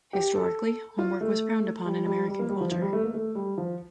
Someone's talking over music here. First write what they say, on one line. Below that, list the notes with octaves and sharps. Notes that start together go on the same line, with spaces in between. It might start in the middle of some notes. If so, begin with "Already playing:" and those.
Historically, homework was frowned upon in American culture.
G4
A4
F4
A3
G3
G3
G3
A#3
G3
F3
F3
G3
A3
A#3
A3
G3
F3